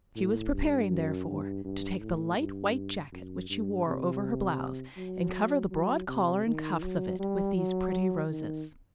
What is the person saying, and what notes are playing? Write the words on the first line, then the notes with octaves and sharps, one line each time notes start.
She was preparing, therefore, to take the light white jacket which she wore over her blouse, and cover the broad collar and cuffs of it with these pretty roses.
A2
G2
F#2
G2
G2
A2
G2
F#2
G2
C3
F#3
F#3
C3
D#3
F#3
G3
F#3
D#3